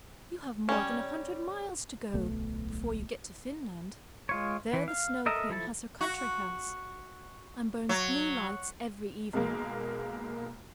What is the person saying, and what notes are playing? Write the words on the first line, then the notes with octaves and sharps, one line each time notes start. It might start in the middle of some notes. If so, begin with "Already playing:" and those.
You have more than a hundred miles to go before you get to Finland; there the Snow Queen has her country-house, and burns blue lights every evening.
G3 C#4
D1 B1 A3
G#3 F4 C#5
E3
F5
A4 A#4 D#5 E5 A#5
F3 E4 A4 A5
F#4
F#3
B1 G#3 A#3